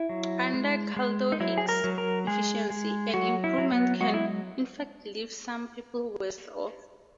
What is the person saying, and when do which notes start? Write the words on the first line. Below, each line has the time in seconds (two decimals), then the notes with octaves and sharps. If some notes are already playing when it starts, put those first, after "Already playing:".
Under Kaldor-Hicks efficiency, an improvement can in fact leave some people worse off.
Already playing: E4
0.09 F#3
0.54 G#3
0.97 G#3
1.32 D#4
1.40 F#3 E4
1.58 G#4
1.69 A#4
1.84 F#3
1.98 A#4
2.27 G#3 G#4
2.70 G#3
3.14 F#3 F#4
3.44 E4
3.58 F#3
3.72 B3
4.01 G#3 F#4
4.14 E4